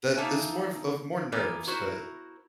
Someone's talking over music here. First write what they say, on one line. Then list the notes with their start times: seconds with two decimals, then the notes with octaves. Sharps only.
that that's more of of more nerves, but
0.17 A#3 D#4 A4 E5 G#5
1.32 E3 A#3 B3
1.67 E4 F#4 A#4 C5